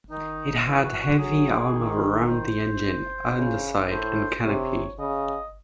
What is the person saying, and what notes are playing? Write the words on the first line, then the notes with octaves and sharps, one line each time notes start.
It had heavy armour around the engine, underside and canopy.
D#3 D#4
E3 E4
F#4
F#4
F#3 G#4
D#3
C5
C#3
A2 C5
C3 C#5
C#3 D#5